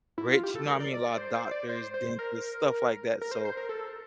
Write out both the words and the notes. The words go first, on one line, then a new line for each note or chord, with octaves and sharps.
rich, you know what mean? A lotta doctors, dentists, stuff like that, so
E4
F4
G4
A4
A#4
D5
D5
D5
C5
C5
D5
C5
C5
A#4
A#4
C5
C5
A#4
A4